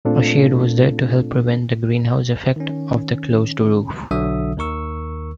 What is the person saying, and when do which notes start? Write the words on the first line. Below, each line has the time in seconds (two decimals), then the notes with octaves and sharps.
A shade was there to help prevent the greenhouse effect of the closed roof.
0.05 A#2 A3 C4 D4 F4 A4
2.56 D#3 C#4
4.11 B1 D3 F#3 E5 D#6
4.57 D#2 D#3 A#4 C#6 E6